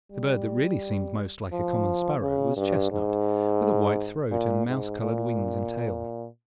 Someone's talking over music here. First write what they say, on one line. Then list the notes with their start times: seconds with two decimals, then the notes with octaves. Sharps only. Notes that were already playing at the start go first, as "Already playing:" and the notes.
The bird that really seemed most like a common sparrow was chestnut, with a white throat and mouse-colored wings and tail.
0.12 G3
1.52 F3
2.21 C#3
2.57 G2
2.92 G#2
4.32 A#2
4.67 G#2
5.01 A#2